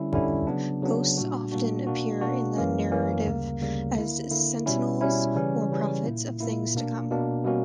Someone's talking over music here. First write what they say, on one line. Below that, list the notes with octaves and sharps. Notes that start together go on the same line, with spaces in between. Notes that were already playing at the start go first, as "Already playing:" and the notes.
Ghosts often appear in the narrative as sentinels or prophets of things to come.
Already playing: D3 G3 C#4 E4
D3 G3 C#4 E4
C#3 F#3 B3 D4
C#3 F#3 B3 D4
A#2 G3 A#3 D4 F#4
A#2 G3 A#3 D4 F#4
B2 A#3 D4 F#4
B2 A#3 D4 F#4
F#2 E3 A#3 C#4
F#2 E3 A#3 C#4
D2 C#3 G3 A#3
D2 C#3 G3 A#3
D3 A#3 E4
D3 A#3 E4
B2 G3 C#4 E4
B2 G3 C#4 E4
C#3 E3 G3 C#4
C#3 E3 G3 C#4
A#2 A#3 E4
A#2 A#3 E4
B2 A#3 D4
B2 A#3 D4
B2 G3 A#3 C#4 F#4